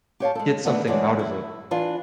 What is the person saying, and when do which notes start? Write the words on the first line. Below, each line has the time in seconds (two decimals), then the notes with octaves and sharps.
get something out of it,
0.20 G4 C#5 F5 A5
0.35 G#3 A4
0.65 D3 D#3 A3 B3 D5
0.87 D3 E3 G#3 A3 C#5 D5
1.19 E4
1.71 E3 D4 F4